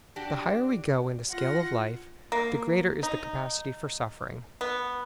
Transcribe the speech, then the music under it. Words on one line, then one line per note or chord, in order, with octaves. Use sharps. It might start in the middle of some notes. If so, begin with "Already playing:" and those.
The higher we go in the scale of life, the greater is the capacity for suffering.
D4 F#4 G4
F4 F#5 A#6
A#3
D#4
B3